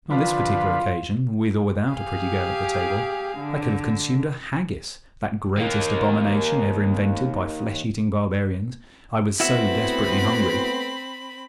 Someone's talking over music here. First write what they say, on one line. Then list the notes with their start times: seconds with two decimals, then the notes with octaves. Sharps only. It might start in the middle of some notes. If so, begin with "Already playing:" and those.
On this particular occasion, with or without a pretty girl at the table, I could have consumed a haggis--that greatest abomination ever invented by flesh-eating barbarians--I was so desperately hungry.
0.11 D3 F3 F4 B4
1.93 G4 G#4 F5
3.38 D3
5.57 D#3 A#3
9.40 A3 B3 C4 E4 F#4 E5 B5